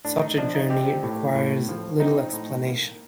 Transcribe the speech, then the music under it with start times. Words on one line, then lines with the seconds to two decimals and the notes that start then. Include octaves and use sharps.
Such a journey requires little explanation.
0.05 A2 D4
0.22 D#4
0.37 F3 D4
0.55 D#4
0.70 C4 G4
1.03 A2
1.35 A2
1.69 F3
2.00 C4 D#4
2.33 A2
2.66 A#3